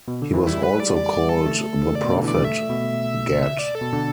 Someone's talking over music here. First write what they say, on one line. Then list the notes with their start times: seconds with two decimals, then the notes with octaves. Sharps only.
He was also called the Prophet Gad.
0.08 B2
0.22 D3
0.34 E3
0.47 G3 E4
0.63 B4
0.80 D5
0.96 D5
1.13 D5
1.29 A4
1.46 A3
1.95 D5
2.04 B2
2.15 D3
2.25 E3 D5
2.34 G3
2.44 A3 E5
2.69 B2
3.42 E5
3.59 D5
3.75 A4
3.81 B2
3.92 D3